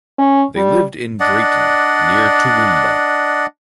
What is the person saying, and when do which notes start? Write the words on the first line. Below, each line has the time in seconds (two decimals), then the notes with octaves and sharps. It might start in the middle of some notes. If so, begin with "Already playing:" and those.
They lived in Drayton near Toowoomba.
0.19 C#4
0.56 G3
1.20 D4 D5 D#5 F#5